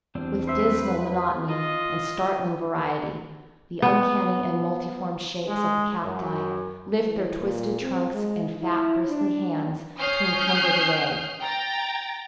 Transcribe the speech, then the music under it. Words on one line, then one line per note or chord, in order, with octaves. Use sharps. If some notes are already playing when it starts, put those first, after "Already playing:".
With dismal monotony and startling variety the uncanny and multiform shapes of the cacti lift their twisted trunks, and fat, bristly hands to encumber the way.
E2 G3 C4 D4
B4 C5 E5
F4 D#5
B3
G#3
F#2
E3
A#2
C4
G#3
E4
D4
C#4 D#6 F6 G6 C7
G5 A#5 A6